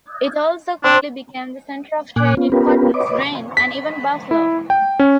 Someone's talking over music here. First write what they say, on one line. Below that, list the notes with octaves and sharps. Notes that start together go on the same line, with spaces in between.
It also quickly became the center of trade in cotton, grain, and even buffalo.
C4 D4
A#2 A#3 G#5 D6 F#6
B3 C#4 F4
B3 C#4 F4 G4 A#4 B4
B4 C#5 D#5 D6
B6
E4
G5
C#4